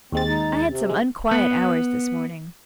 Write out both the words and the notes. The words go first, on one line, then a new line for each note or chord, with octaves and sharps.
I had some unquiet hours this morning.'
D#2 G#3 C4 A6
D#4
C3
G#3
B3